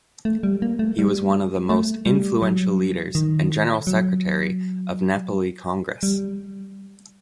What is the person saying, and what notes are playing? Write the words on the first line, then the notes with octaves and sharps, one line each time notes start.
He was one of the most influential leaders and General Secretary of Nepali Congress.
A3
G3
A#3
A3
G3
A3
G3
F#3
D#3
F#3
G3